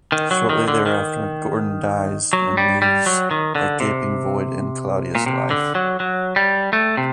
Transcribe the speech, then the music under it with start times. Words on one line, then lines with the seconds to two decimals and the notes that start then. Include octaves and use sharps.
Shortly thereafter, Gordon dies, and leaves a gaping void in Claudia's life.
0.12 D#3
0.31 F#3
0.49 D#3
0.68 D3
0.86 D#3
2.33 F#3
2.57 G3
2.82 G3
3.06 F#3
3.31 D#3
3.55 D3
3.80 C3
5.15 A#2
5.26 C3
5.51 D3
5.75 F#3
6.00 F#3
6.36 G3
6.73 A3
6.97 C3